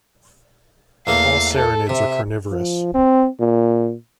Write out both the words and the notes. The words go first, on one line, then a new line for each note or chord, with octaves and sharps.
All serranids are carnivorous.
E2 A3 A#3 F5
A4
C3 E5
F3
C4
A#2